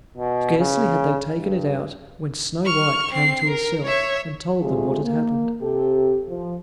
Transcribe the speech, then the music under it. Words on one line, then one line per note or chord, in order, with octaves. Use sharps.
Scarcely had they taken it out when Snow-white came to herself, and told them what had happened.
B2
C#3
G2
C#6 F6
C4 C7
A#4
C#5 E5
D2 C3 G#3 A3 F4 G#4
A#3
C3 G4 A4
F3